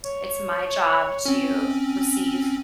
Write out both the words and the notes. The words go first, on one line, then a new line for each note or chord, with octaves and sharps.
it's my job to receive
C#5
C4 C#4